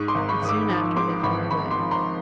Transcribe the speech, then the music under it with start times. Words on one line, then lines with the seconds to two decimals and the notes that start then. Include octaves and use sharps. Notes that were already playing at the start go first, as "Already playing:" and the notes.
And soon after they flew away.
Already playing: G#2 C#6 D#6
0.08 C6 D6
0.15 G#1
0.29 B5 C#6
0.42 G#1 D#6
0.49 D6 E6
0.69 F3
0.96 G#2 C6 D6
1.23 G#1 B5 C#6
1.51 G#1 B5 C#6
1.71 C6 D6
1.78 F3
1.91 A#5 C6